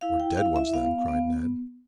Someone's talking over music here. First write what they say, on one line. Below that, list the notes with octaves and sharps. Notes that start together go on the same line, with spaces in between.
"We're dead ones, then!" cried Ned.
E4 F5
G5
E4 F5
E5
B3 F5
B3